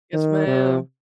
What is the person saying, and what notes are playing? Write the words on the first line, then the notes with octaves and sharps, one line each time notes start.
Yes, ma'am.
D#3
C3